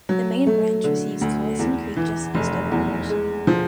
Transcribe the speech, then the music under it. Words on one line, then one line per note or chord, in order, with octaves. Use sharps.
The main branch receives Collison Creek just east of Honor, Michigan.
F#3
A3
D3
D2
E2
E3
F1
E2
G#3
F3